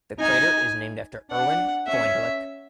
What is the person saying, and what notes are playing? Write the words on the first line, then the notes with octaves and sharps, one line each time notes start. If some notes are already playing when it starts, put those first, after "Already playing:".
The crater is named after Erwin Freundlich.
D#4 G#5
D4 F#5
C#4 E5